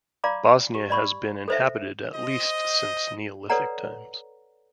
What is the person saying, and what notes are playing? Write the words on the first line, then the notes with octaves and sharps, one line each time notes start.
Bosnia has been inhabited at least since Neolithic times.
D5 F5 A#5 B5 D6
G4
D5 B5 C#6
A4 C5 E5
C5 D#5
A4 B4 C#5 D5 F#5 A#5